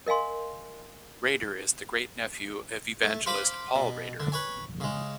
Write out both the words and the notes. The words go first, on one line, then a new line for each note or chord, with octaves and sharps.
Rader is the great-nephew of evangelist Paul Rader.
A#4 D#5 F5 G#5 C6
A3
C5 F5 B5 C6 D6
B2
D3
B4 C#5 G#5
C#3 G#3